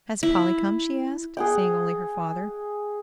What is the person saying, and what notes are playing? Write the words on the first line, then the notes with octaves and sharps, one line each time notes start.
"Has Polly come?" she asked, seeing only her father.
E4
G#4 F#5 G5